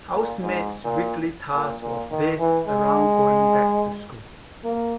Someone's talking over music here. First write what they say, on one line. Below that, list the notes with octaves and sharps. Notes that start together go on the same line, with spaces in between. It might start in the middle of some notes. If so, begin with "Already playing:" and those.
Housemates weekly task was based around going back to school.
A#2
G#2
A#2
A#2
A#2
D#3
E3
G#3
A#3